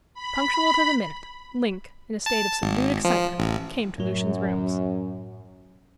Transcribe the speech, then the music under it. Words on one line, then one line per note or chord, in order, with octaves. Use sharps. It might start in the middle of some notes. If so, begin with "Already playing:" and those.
Punctual to the minute, Link, in a state of subdued excitement, came to Lucian's rooms.
B5
A5
G#1
F3
A1
F#2 A2 F#3